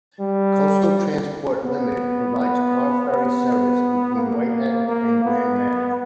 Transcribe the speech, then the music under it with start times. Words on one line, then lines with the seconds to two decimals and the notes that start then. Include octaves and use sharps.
Coastal Transport Limited provides car ferry service between White Head and Grand Manan.
0.20 G3
1.64 B3
2.36 B3
3.08 B3
4.16 A#3
4.88 A#3
5.24 B3